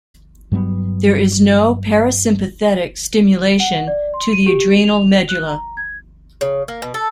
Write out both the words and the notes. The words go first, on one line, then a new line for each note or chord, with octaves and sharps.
There is no parasympathetic stimulation to the adrenal medulla.
G2 F#3 G3 B3
F#5
D5
C6
D#7
G4
F7
F#6
A#5
G#6
C#3
A#3
B2
A4